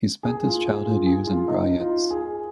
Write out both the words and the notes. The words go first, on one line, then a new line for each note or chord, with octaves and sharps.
He spent his childhood years in Grojec.
G#4
F4
G#4
F4
G#4
F4
D#4
F4
G#4